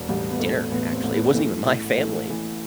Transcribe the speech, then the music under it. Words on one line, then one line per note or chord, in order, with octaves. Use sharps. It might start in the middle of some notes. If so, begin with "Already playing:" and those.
dinner, actually. It wasn't even my family,
Already playing: E1
A1 G3
B3
A1 A3
A1 B3
C4
A1
B3
E3 A3
A1
E3 A3
E3